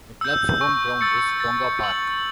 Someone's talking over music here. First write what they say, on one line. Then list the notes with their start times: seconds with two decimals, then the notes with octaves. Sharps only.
The club's home ground is Tonga Park.
0.21 E6 G6
0.61 C#6
1.01 E6 A6 C#7
1.40 A6
1.79 C#7 F#7